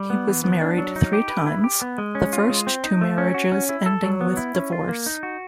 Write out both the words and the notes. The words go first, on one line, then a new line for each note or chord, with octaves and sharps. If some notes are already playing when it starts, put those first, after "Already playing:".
He was married three times, the first two marriages ending with divorce.
Already playing: G3
B3
E3
B3
D4
F#3
D#4
G4
B4
E4
G4
B3
G#3
C#4
F4
G#3
C4
D#4
A3
C#4
F#4
C#4
E4
A4
F#3
B3
E4
C#4
F4
A#3
D#4
F#4